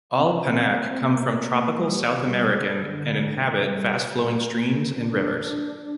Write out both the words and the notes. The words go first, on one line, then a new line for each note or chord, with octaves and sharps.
All "Panaque" come from tropical South American and inhabit fast-flowing streams and rivers.
C4
A#3
G3
D3
G3
A#3
D4